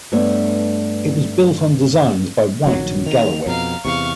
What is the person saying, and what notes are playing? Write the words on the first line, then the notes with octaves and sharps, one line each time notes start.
It was built on designs by Whyte and Galloway.
G2 A3 B3 C#5
A#1 D#3 F#3
D#3 F7
F2 B2 F5 A#5
E2 C3 F5 C#6